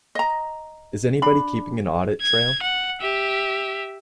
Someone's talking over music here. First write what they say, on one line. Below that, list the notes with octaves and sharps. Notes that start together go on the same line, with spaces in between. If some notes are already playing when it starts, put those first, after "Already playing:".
Is anybody keeping an audit trail?
D#5 A#5
D4 B5
G#6
F#5
G4 E5